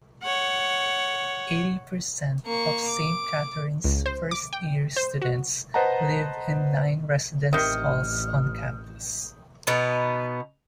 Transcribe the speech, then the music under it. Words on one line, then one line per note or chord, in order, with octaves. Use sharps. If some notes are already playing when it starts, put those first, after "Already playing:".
Eighty percent of Saint Catherine's first-year students live in nine residence halls on campus.
C#5 F#5
A#3 C#6
D6
C#2
C5
D6
G5
C5
F#4
B4 C5 D#5 F#5 A5 A#5
A1 C3 D#3 D#6 F6 G6 C#7
B2 B3 D#4